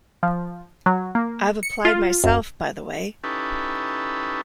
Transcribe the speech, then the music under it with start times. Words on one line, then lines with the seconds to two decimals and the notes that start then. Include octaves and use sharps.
I've applied myself, by the way.
0.23 F3
0.86 F#3
1.15 A#3
1.63 C#7
1.85 F4
2.24 F#2
3.24 C#4 D#4 E4 G4 A4 B4